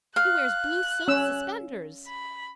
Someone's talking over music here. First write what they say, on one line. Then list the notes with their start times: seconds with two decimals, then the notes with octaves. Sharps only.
"He wears blue silk suspenders."
0.16 F5 F#6
1.08 C#4 E6
2.08 B5